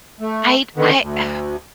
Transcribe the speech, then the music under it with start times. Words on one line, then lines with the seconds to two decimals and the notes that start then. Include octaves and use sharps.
I I Ugh.
0.21 A3
0.76 D3 D#3 B3
0.99 D2